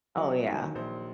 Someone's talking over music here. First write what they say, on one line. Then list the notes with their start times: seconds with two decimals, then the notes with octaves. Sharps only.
Oh, yeah.
0.16 F#3 D#5
0.47 D#3
0.75 A#1 C5